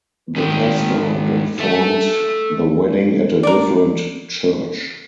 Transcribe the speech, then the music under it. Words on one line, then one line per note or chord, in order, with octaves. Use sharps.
The pastor performed the wedding at a different church.
G#2 D#3
A4 E5
A#4 D5